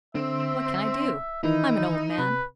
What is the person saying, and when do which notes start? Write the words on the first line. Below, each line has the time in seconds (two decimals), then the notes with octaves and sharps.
What can I do? I'm an old man.
0.15 D3 C4 E5
1.44 D#3 E3 D#4 E4
2.18 C3 B4